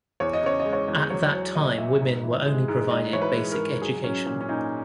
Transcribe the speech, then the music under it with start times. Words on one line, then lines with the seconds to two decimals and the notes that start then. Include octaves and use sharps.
At that time women were only provided basic education.
0.20 E2 C#5
0.33 D#5
0.43 C#3 C#5
0.60 D#5
0.65 G#3
0.73 C#5
0.88 E2
1.10 F#3 C#5
1.33 F#3 C#5
1.55 A#2 D#5
1.78 A#2 E5
2.01 G#2
2.23 E3
2.46 G#3
2.68 G#2
2.91 G#2 D#5
3.13 E3 C#5
3.22 B4
3.36 G#3
3.52 A#4
3.59 G#2
3.81 F#3 G#4
4.03 F#3 C#4
4.26 A#2 C#4
4.41 C#4
4.49 A#2 D#4